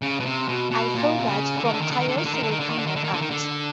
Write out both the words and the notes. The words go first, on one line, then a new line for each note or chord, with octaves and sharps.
I feel that from Taos will come that art.
C#3
B2
C3
B2
B2
A#2
C3
C#3
D3
D#3
D3
D#3
D3
D#3
D3
D#3
D3
D#3
D3
D#3
D3
D#3
D3
D#3
D3
D#3
D3
D#3
D3